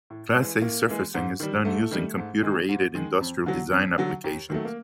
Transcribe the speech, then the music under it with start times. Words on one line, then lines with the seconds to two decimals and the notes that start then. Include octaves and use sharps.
Class A surfacing is done using computer-aided industrial design applications.
0.10 A2
0.36 E3 G#3
0.62 A2 A#3
0.88 E3 G#3
1.14 G#2
1.40 D#3 G3
1.65 G#2 A3
1.91 D#3 G3
2.17 G#2
2.43 D#3 G#3
2.69 G#2
2.95 D#3 G#3
3.21 F2
3.46 D3 F#3
3.72 F2
3.98 D3 F#3
4.24 D#2
4.50 D#3 F#3 A3
4.65 A#3